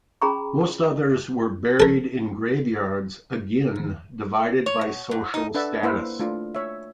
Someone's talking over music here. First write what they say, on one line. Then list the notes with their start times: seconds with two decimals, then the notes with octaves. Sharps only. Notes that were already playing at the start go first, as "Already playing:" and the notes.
Most others were buried in graveyards again divided by social status.
0.22 C#4 G#4 G5 A#5 B5 C#6
1.80 A4 A#4
4.66 C#5
4.81 B2
5.11 G#2
5.34 D#4
5.55 D4 A4 B4 E5 F#5 A5
5.83 A#3 E4 B4 C5 E5
6.20 A3 D4 F4
6.55 C#5 E5